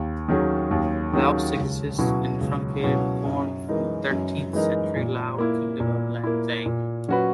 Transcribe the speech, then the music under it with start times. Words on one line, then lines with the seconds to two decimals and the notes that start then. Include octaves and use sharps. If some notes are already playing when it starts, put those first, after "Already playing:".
Laos exists in truncated form from the thirteenth century Lao kingdom of Lan Xang.
Already playing: D#2
0.28 D#3 F#3 C#4 G#4
0.71 D#2
1.13 D#3 F#3 C#4 G#4
1.56 C#2
1.99 B2 F#3 C#4 E4
2.41 C#2
2.83 B2 F#3 C#4 E4
3.25 F#2
3.69 E3 G#3 D#4 A#4
4.10 F#2
4.53 E3 G#3 D#4 A#4
4.96 A#2
5.38 A#3 E4
5.80 A#2
6.24 A#3 E4
6.66 A#2
7.08 F#3 C#4 F#4 B4